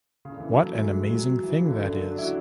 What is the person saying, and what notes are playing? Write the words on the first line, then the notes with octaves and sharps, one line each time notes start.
What an amazing thing that is!
C#3
D3
E3
F#3
A3
G#3
F#3
G#3
F#3
E3
C#3
D3
D3
F#3
D4
E4
F#4